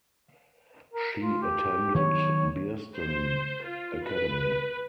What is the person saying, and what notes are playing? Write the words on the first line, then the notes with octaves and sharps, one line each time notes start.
She attended Bearsden Academy.
A#4
F4
G4
D#3 F#3 B3 C#5
C5
F4
B4